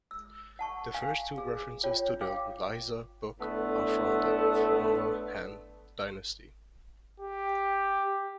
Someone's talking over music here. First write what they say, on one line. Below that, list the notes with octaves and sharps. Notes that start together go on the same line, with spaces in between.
The first two references to the "Liezi" book are from the Former Han Dynasty.
E6
F#5 A5 C#6
F5 G#5
G#4
F4 C#5 G5
F5 G5 D6
A2 D3 A3 B3
G4